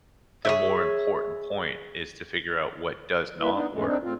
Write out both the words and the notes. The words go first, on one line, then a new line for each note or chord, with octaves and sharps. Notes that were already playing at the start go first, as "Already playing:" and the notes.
the more important point is to figure out what does not work.
G#4 C#5 E5
G3 A#3 B3 E4 B4
B3 D4 D#4
E2 G#2 C#3 E3 G#3 A3
C4 D4 D#4
A2 C4 F4